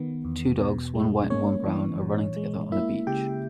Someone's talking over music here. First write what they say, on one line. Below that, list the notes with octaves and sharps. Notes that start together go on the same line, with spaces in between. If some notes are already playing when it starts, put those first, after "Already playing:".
Two dogs one white and one brown are running together on a beach.
Already playing: D#3 B3
E2
B2
G#3
A#3 C#4 C#5
E3
A#2
G#3
A#3 E4 E5
C#3 G4 G5